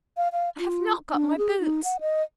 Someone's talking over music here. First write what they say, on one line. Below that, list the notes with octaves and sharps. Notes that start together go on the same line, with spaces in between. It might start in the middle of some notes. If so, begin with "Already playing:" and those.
I have not got my boots!
F5
F5
F4
D4
G#4
D#4
F#5
D#5